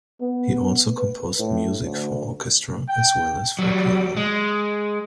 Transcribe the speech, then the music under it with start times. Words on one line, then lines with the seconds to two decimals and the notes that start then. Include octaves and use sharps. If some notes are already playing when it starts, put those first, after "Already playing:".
He also composed music for orchestra as well as for piano.
0.21 B3
0.98 B4
1.40 A2
1.84 D2
2.89 G5
3.59 F#3 G3
4.17 G#3